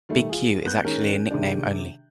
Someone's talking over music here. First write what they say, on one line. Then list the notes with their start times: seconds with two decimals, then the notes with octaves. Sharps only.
Big Q is actually a nickname only.
0.09 D#3 G3 A3
0.29 F4 G#4
0.64 B3 F#6 G6
0.84 D#3 G#3 C#4 A#4
1.31 C3 D#3 G#3 D4